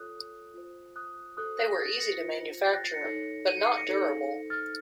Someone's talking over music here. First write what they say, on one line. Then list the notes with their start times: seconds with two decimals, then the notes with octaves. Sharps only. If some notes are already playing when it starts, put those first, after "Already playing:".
They were easy to manufacture, but not durable.
Already playing: F4 A4 C#5 D#6 F#6
0.54 F4 C5
0.96 D#6 F#6
1.37 F#4 A4 C5 D#6 F#6
1.58 F#6 A#6
1.73 A#6
1.79 A6 C7
2.00 A#6 C#7
2.21 F4 C5
2.63 A6 C7
2.73 F#6 A#6
2.84 A6 C7
2.94 A#6 C#7
3.05 D#4 A4 C#5
3.47 D#7
3.57 C#7
3.67 C7
3.77 A#6 C#7
3.88 D#4 A4 C5
4.50 F6 A6